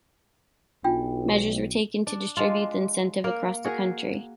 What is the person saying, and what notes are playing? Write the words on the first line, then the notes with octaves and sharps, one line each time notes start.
Measures were taken to distribute the incentive across the country.
B1 D4 F4 G5
G4
D4
G#3 D4 F4
A#3 A#4
F#4 G#4 A#4